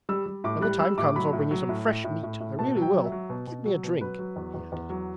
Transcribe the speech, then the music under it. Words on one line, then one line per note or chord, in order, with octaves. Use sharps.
When the time comes I'll bring you some fresh meat, I really will. Give me a drink!' he added.
G3 E6
G3
A2 D6
G3 F#6
G3 E6
A2 D6
F#3 B5
A2
F#3
A2
A2
A2
A2
A2
B2 A5
F#3
G5
F#3
E5
F#3
B2
B2
F#3
B2
F#3 B4
F#3
E2
E2
E2
F#3